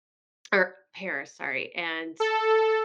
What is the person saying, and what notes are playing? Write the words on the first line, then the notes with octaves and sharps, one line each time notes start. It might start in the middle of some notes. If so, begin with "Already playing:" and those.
or, Paris, sorry, and
A4